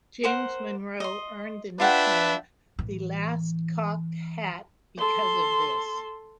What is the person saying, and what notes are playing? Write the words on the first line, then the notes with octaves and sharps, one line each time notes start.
James Monroe earned the nickname "The Last Cocked Hat" because of this.
A#4 C5 F#5
D#5 C6
D4 F4 B4 E5 F#5 G5
A2 E3
A4 C6